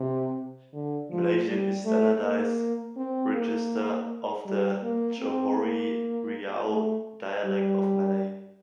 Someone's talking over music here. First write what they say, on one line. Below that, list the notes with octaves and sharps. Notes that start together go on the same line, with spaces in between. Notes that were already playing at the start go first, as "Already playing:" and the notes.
Malaysian is a standardised register of the Johore-Riau dialect of Malay.
Already playing: C3
D3
F3
G3
A3
A#3
C4
A#3
G3
A#3
C4
A#3
A3
G3